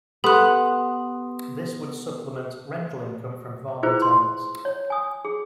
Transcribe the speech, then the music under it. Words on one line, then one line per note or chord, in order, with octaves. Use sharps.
This would supplement rental income from farming tenants.
B3 G4 A4 C6 D#6 F#6
E4 F4 G#4 B4 C5
C6
C#5
G#5 D#6
G#4